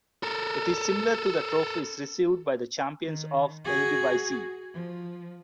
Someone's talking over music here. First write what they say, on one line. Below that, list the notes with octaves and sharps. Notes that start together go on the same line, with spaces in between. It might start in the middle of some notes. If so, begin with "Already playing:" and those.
It is similar to the trophies received by the champions of the Eredivisie.
A4 A#4
D#3
F#4 G#4
F3